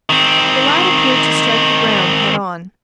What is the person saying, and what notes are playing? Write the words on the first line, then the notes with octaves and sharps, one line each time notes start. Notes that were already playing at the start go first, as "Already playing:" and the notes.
The lad appeared to strike the ground head-on.
D#3 C4